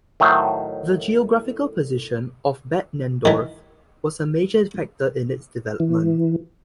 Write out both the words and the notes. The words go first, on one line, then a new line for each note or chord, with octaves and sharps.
The geographical position of Bad Nenndorf was a major factor in its development.
A2 D#3 F#3 A3 C5
D#3 E3
E3